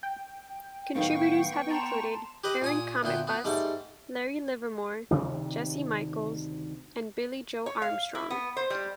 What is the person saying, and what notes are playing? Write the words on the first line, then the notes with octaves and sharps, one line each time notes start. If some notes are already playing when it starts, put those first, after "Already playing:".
Contributors have included Aaron Cometbus, Larry Livermore, Jesse Michaels, and Billie Joe Armstrong.
G5
A2 D#3 F#3 B3 F5 G5 C#6
A5 A#5 C6 E7
G4 B4 D#5
A#2 G#5 D#6
D2 A#2 B3 G5
B3
G#2 G3 A3
D2 C3 D#3 D4
C#5
F5
E4
B3
C5
G3